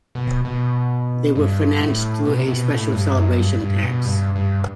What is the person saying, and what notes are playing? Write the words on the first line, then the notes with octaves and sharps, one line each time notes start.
They were financed through a special celebration tax.
B2
B2
G2
A2
B2
C3
B2
A2
G2
F#2
G2
G2
B2
G2
G2